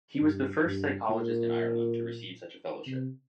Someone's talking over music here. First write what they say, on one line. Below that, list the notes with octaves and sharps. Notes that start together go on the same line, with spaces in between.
He was the first psychologist in Ireland to receive such an fellowship.
G2
G2
A#2
C3